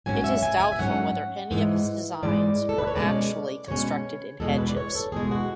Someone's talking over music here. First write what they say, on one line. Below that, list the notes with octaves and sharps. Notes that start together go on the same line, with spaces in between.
It is doubtful whether any of his designs were actually constructed in hedges.
G#2 F#3 C#4 G#5
E5
G#5
G#5
E5
G#2 F#3 C#4 F#5
G#2 E3 G#3
G#2 E3 G#3 D5
A4
B4
C#5
B2 G#3 C#4 D5
B2 G#3 C#4 C#5
E2 B2 G#3 A4
B4
D5
C#5
A4
E2 B2 G#3 G#4
F#4